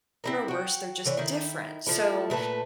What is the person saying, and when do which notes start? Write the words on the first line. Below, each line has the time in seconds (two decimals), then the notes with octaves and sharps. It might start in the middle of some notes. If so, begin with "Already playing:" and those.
or worse, they're just different. So
0.24 C4 E4 A#4
0.48 F#4 G5
1.05 D3 E3 C#5
1.17 D#3 E4
1.87 F3 A3 E4
2.30 A#2 A3 B4 A5